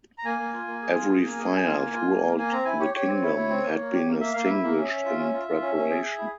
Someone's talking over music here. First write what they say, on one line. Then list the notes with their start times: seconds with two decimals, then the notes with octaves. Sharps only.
Every fire throughout the kingdom had been extinguished in preparation.
0.18 A#5
0.25 A#3 G#5
0.39 A#3
0.54 F4
0.68 A#3
0.82 G#4
0.95 F4
1.09 G#4
1.25 A#3
1.38 G#4
1.52 G#4
1.66 F4
1.80 A#3
1.94 F4
2.09 A#3
2.23 A#3
2.37 A#3 G#5
2.51 C4 A#5
2.65 E4 G#5
2.80 G4 C#5
2.93 G4 C#5
3.07 C4
3.22 E4
3.36 E4
3.49 C4
3.64 A#3
3.79 A#3
3.92 G4
4.07 A#3
4.20 A#3 E5
4.33 A#3 F5
4.45 E4 E5
4.64 A#3
4.77 C#4
4.91 C#4
5.05 F4
5.19 C#4
5.33 F4
5.48 F4
5.62 C#4
5.76 C#4
5.90 G#4
6.04 G#4
6.18 E4